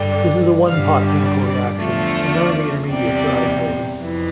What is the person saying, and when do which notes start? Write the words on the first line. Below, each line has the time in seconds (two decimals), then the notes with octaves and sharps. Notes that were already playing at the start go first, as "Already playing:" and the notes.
This is a one-pot chemical reaction, and none of the intermediates are isolated.
Already playing: G2 D3 G3
0.67 G2 D3 G3 F5
1.22 D5
1.78 E2 D3 F3 A3
2.34 D5
2.89 E2 C3 G3 D5
4.00 F2 E3